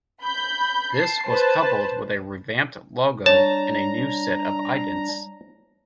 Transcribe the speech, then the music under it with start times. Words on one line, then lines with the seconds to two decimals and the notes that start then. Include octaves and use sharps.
This was coupled with a revamped logo and a new set of idents.
0.23 B5 G6
0.96 A5 C7
1.28 B4 C5 A5
3.26 G3 D4 C#5 A5 A#5